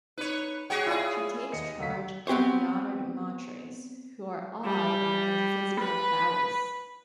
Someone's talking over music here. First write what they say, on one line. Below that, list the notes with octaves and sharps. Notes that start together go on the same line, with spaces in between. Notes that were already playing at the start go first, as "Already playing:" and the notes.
She takes charge of the Honored Matres, who are awed by her physical prowess.
D#4 B4 C#5
F#4 G#4 C#5 F#5 G5
E4 F4 G#4 D5 G#5
D#2 D#5 C#7
D2 F5 B6
B3 C4 G4 C5 C#5
G3
B4